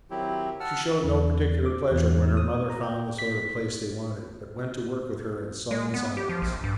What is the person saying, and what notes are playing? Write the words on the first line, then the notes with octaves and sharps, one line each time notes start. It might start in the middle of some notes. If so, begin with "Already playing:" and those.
She showed no particular pleasure when her mother found the sort of place they wanted, but went to work with her in sullen silence.
D#3 F#3 C4 E4 G4
F#5 A5 E6 F6
E2
D6
E2
D#6
A#5
G5
B6
G#3
B3
G4
F3
A#1
G2